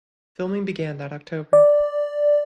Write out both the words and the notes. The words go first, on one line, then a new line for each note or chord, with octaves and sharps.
Filming began that October.
D5